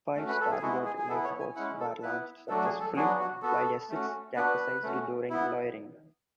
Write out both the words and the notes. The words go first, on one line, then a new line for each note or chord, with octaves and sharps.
Five starboard lifeboats were launched successfully, while a sixth capsized during lowering.
A3 C#4 F#4
B4
A4
G#4
G#3 B3 E4 F#4
G#4
G#4
B3 E4 A4
C#5
G#5
G#3 C#4 E4 F#5
A4
B3 E4 B4
F#3 A3 D4 F#4 A4
G#4
A4
F#3 B3 D4 F#4 G#4
F#4
B3 F#4 A4
A3 C#4 F#4
B3 D4 F#4 B4
A3 C#4 F#4
B3 E4